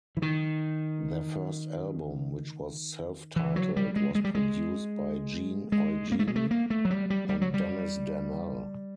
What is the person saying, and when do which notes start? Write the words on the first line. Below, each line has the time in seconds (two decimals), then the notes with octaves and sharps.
Their first album, which was self-titled, was produced by Gene Eugene and Dennis Danell.
0.17 E3
0.22 D#3
3.36 E3
3.56 F#3
3.76 G3
3.96 G#3
4.15 G#3
4.24 G3
4.35 G#3
5.72 G#3
6.12 A#3
6.19 A3
6.27 G#3
6.36 A3
6.51 A#3
6.70 A3
6.85 F#3
6.90 G3
7.10 G3
7.29 G3
7.41 F#3
7.54 G3